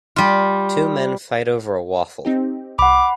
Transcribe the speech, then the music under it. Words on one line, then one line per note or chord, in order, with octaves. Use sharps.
Two men fight over a waffle.
G3 F4
C4 D#4 G4
C2 F#5 B5 D6